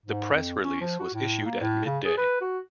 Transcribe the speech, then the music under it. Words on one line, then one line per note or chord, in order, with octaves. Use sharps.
The press release was issued at midday.
G#2
F2
C#4
F3
F#4
A2
A#3
A2
C#3
G#4
B4
F#4